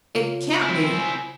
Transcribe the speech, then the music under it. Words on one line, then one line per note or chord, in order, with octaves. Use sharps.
"It can't be."
C#3 F4
C4 E4 G#5